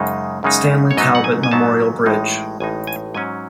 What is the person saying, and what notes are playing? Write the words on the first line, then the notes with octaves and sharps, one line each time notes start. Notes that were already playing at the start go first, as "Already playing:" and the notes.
Stanley Talbot Memorial Bridge.
Already playing: F#2 C#3 G#3 D#4
F#2 C#3 G#3 D#4
C#5
G#2 F#3 B3 D#4 D#5
F#5
G#5
G#5
G#2 F#3 B3 D#4 A5
A1 A2 G#3 D#4
A1 A2 G#3 D#4 G#5
G#5
G#2 F#3 C#4 G#5